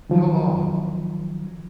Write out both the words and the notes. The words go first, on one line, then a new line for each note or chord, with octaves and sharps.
"How long?"
D#3 F3 F#3